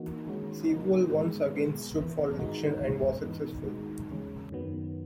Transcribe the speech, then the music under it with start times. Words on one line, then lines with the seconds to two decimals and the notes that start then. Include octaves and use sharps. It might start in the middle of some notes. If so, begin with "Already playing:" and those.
Sewell once again stood for election, and was successful.
Already playing: E3 A#3 D#4 F#4
0.27 D#3 G#3 C#4 F#4
0.69 C#3 F#3 A#3 D#4
1.12 G#2 D#3 G#3 B3
1.54 B2 G#3 B3
1.96 E3 B3 E4
2.39 G#2 D#3 G#3 D#4 F#4
2.82 E2 B2 G#3 C#4
3.24 G#2 E3 B3 D#4
3.66 D#3 G#3 D#4 F#4
4.09 E2 C#3 G#3 C#4
4.51 F#2 D#3 F#3 B3